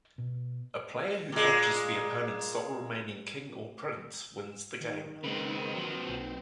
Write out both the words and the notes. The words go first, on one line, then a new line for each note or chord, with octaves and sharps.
A player who captures the opponent's sole remaining king or prince wins the game.
B2
A#2 G#3
D#3
C#3 G#3 C4 B4
F3 F#3
B1